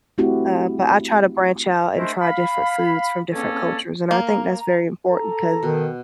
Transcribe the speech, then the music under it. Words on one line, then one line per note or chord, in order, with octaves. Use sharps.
uh, but I try to branch out and try different foods from different cultures, and I think that's very important 'cause,
A3 C4 E4 F#4 G4
G#3 A3 D4 E4 A#4 C5
F5 B5
E2 A#3 C4 C#4 A4
A#3 A#5
A4 A#5
B2 D#3